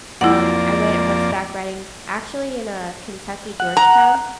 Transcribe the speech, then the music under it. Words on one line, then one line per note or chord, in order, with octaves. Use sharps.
Um, I went horseback riding actually in a Kentucky, Georgetown
F2 A#3 E4 D5 F#5
F#5
A#5